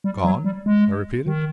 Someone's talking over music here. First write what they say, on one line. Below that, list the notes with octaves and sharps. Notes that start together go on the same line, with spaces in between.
"Gone?" I repeated.
G3
F#3
G3
G#3
D#3